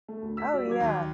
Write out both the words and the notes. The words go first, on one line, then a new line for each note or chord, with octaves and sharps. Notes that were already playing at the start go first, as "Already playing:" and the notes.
Oh, yeah.
A3
D2
E6 B6
G3 F#4 D5
F#3 D6 G#6
D#2